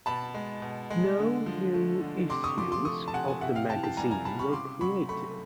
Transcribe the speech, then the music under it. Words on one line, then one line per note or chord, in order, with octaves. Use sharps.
No new issues of the magazine were created.
B2 A5 B5
G#3
B2
G#3
D3
F3
A3
D3
C3 C6 D6
C#6 D#6
F3 C6 D6
C6 D6
A3 C#6 D#6
A5
C3 F#5 G#5
F#5 G#5
C3 E5 F#5
F5 G5
E3 G5 A5
G5 A5
G3 G#5 A#5
G#5 A#5
C3 A5 B5
B5 C#6
C#3 C6 D6
F#3 B5 C#6
A3 B5 C#6